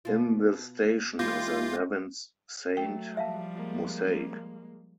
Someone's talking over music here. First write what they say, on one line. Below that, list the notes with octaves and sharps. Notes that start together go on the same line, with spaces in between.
In the station is a "Nevins Saint" mosaic.
B2 F4
E3 G#3 F4 G4 D6 G6 A#6
F#3 A3 G5
F3 G3 E5 F5 A5
G#3 A#3